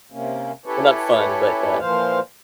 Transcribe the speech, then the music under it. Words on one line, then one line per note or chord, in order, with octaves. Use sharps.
Well, not fun, but, uh,
C3 A#3 C#4
C#4 E4 G4 A4 B4 C#5
A#2 E3 F3 C5 F5